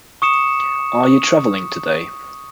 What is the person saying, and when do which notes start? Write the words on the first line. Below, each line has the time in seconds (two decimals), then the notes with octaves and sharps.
Are you travelling today?
0.22 C#6 D#6 C#7 E7